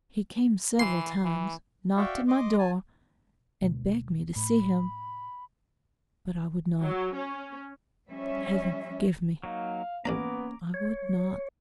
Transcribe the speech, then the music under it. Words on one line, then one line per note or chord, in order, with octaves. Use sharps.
He came several times, knocked at my door, and begged me to see him, but I would not. Heaven forgive me!-- I would not!
E3 C6
E3
F#4 D5 E5 F5 G5 C#6
D#5 C6 D6
G#5 A5
D2 B2 G#3
A2 B5
F#3
C#4
F3 G3 C#4 E5
F#3 A#3 D#4 F5
A1 A#3 B3 C#4 D4 D5 A#5 D6
C#5